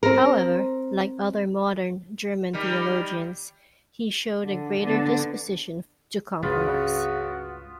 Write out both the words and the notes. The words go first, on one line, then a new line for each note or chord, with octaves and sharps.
However, like other modern German theologians, he showed a greater disposition to compromise.
C4 A#4
D#3 G3
D3
D3 B3
C#2 G2 C#3 B3 F4 F#4